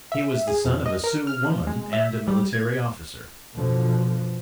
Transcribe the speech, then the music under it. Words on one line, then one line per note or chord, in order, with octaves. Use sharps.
He was the son of a Sioux woman and a military officer.
E5
G#4
F2
D#5
A#4
F6
F3
G#3
E5
G3
G#6
F#2 B2 D3 F3